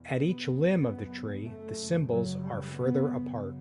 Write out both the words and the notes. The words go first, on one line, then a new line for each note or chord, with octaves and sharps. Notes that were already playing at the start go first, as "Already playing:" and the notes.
At each "limb" of the tree, the symbols are further apart.
Already playing: E2 B2
B3
F#2 C#3
B3
A3
F#2 C#3
F#3
G3
B3
F#2 C#3